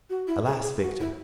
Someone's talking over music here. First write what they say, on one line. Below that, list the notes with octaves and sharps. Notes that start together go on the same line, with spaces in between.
Alas, Victor!
F#4
E4
G#4
G#4
F#4
E4